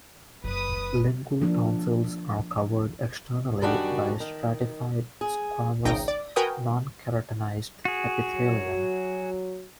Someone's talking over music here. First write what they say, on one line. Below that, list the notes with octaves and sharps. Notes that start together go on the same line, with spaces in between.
Lingual tonsils are covered externally by stratified squamous nonkeratinized epithelium.
F#1 B4 D#6
F3 A#3 D4
F#2 D#3 G3 D4 F#4
D#3
G#4
G#1 C#2 D#4 G5 A#6
D5
F#4 A#4 B4 G5 G#5 D#6
F#4 G#4
F#3